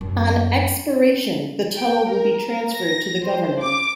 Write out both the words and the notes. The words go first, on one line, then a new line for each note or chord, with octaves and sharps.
On expiration, the tunnel will be transferred to the Government.
F#2
G5
A#4
A#4
A#6
C5
D6